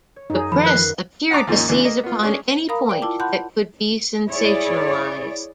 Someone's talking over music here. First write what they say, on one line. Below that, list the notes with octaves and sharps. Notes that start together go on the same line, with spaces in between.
The press appeared to seize upon any point that could be sensationalised.
C#5
F#2 D#4 G#4
D#3 F3 B5
A#4 B4 F#6 C7
F#5 A5 A#5 D6 D#6
D#2 G#2 F3 A#3 C#4 D#4
D2 C#3 E3 D4
A#3 D#5
B3 F4
C#4 D4 G#4
A#4 F5 A#5 B5 D#6
D5 G5
E4 F4 A5 D6
F#5 A5 B5 C6 F#6 G6
E4 G#4 C#5 D5